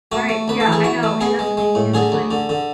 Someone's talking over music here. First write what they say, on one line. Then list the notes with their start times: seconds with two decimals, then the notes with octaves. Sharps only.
Right, yeah, I know, and that's the thing too, is, like,
0.12 A3 F#4
0.29 A3
0.48 D2 B4
0.60 A4
0.67 E3
0.72 G#4
0.84 E3 F#4
1.03 A3
1.21 B3 G#4
1.39 G#3
1.57 G#3
1.75 A2
1.94 D3 G#4
2.12 D2
2.31 D3
2.49 D3